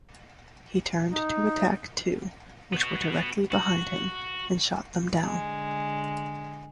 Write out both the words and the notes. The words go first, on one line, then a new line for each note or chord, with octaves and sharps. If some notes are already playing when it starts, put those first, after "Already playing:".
He turned to attack two, which were directly behind him, and shot them down.
D#4
B3 F#4
F#4
D3 G#3